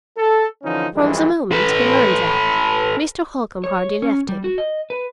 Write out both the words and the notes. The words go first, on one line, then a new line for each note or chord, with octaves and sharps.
From the moment he learned that, Mr. Holcombe hardly left him.
A4
D3 E3 F3 C#4 D#4
F2 G#2 E3 G3 G#3
A4 B4
C#5
C#4
G3
F#4
D#5
B4